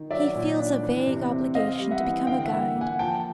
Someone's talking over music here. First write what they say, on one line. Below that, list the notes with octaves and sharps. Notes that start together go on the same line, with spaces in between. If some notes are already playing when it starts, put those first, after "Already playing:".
He feels a vague obligation to become a guide.
Already playing: D#3
F#3 D5 E5
A#2
D4
E3
C3
C4
C4 D#5 F5
G3
E5 F#5
E3
D3 F5 G5
E5 F#5
A#3
A#3
F#5 G#5
F3 G5 A5